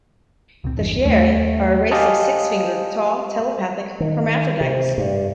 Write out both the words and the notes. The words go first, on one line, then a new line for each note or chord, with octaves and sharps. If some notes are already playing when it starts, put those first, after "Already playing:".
The "Chieri" are a race of six-fingered, tall, telepathic hermaphrodites.
C#2 A#2 C4
G1 E2 D4
D#2 A3
G4 D#5 F5 G#5 A5 D#6
D#3
C3
G2